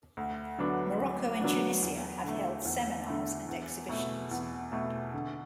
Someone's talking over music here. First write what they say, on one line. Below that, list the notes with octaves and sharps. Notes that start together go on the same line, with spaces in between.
Morocco and Tunisia have held seminars and exhibitions.
D2
D3 F#3 B3 D4
D2
D3 F#3 B3 D4
E2
D3 A3
E2
D3 A3
E2
B2 A3
E2
B2 A3
D3